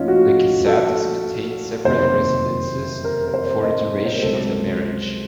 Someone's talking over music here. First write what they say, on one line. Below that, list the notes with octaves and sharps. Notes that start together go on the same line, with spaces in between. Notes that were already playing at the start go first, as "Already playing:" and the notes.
The Casatis maintained separate residences for the duration of their marriage.
Already playing: A#1 A2 F3 C#4 D#4 F4
F#4
A4
F#1 F2 C3 D#3 C5
A#4
A#4
C5
D#5
C5
A#4
C#2 C3 F#3 A4